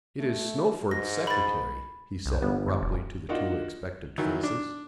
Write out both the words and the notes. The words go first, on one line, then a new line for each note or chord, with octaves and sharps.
"It is Snowford's secretary," he said abruptly to the two expectant faces.
A3
G#2 A#6
B5 A6
C2
G1 B3
G2
E1
A#3 D4 D#4 F4 F#4
D#3 E3 F#3
D4